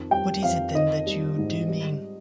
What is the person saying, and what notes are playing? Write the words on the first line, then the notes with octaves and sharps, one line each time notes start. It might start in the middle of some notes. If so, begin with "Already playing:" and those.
What is it, then, that you do mean?
Already playing: F2 D#3
G3 G5
F2 F5
D#3 D#5
G3
G#2
G3